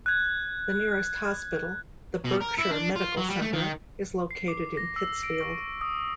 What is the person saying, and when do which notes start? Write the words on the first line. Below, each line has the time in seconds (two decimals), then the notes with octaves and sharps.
The nearest hospital, the Berkshire Medical Center, is located in Pittsfield.
0.06 F#6 G#6
2.25 B2
2.42 A#4
2.59 E4
2.71 D4
2.96 F4
3.17 F#3
3.29 G3
3.42 A3
3.54 D#3
4.31 C7
4.48 D6
4.77 A#6
4.96 E6
5.23 D7
5.40 C#6
5.81 D#6